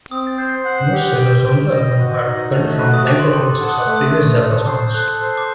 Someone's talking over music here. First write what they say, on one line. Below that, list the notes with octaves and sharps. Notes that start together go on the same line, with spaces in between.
Most solos on the album are culled from live performances of previous Zappa songs.
C4 D#6
A6
C5 G6
F#5
G4
G5 G6
G5
D#5
F#4
D#4
A3
F#4 F#6
D#6
G5 D6
C6
A4 C6
C6
F#5
D#6
A3 F#6
D#6
A3
A4
C5
G6
A4 F#6
C5
D6